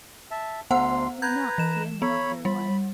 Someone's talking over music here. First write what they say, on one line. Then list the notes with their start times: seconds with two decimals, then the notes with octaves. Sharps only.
'Do not be annoyed, dear wife.
0.31 E5 A5
0.71 D2 B3 C5 F#5 C6
1.22 B4 A#5 G6 G#6
1.58 E3 E7
2.02 B3 C#5 B5
2.45 G3 B5